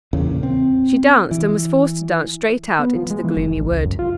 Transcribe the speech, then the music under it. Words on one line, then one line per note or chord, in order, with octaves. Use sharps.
She danced, and was forced to dance straight out into the gloomy wood.
E2 A#2 C#3
C4
E3
B3
F3
G#3
E3
F#1
A1
C#2
F#2
F4